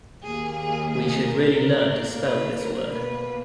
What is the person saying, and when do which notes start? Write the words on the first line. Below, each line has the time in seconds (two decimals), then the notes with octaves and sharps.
We should really learn to spell this word.
0.23 D#2 D#3 A#3 G#4
0.56 G#4
0.91 G#4
1.24 A#4
1.58 B2 A#3
2.24 B4
2.58 A#4
2.92 B2 A#3 B4